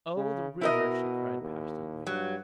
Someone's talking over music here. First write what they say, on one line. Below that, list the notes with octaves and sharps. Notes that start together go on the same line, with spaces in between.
'Oh, the river!' she cried passionately.
C#3
B2 E4 A#4 D#5
D#2
G2 F#3